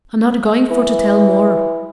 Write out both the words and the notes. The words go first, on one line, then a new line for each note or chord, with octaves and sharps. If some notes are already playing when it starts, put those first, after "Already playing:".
I'm not going for to tell more.
E3